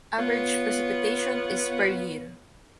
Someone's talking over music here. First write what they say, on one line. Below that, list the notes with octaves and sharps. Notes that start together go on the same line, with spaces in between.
Average precipitation is per year.
B3 F4 C#5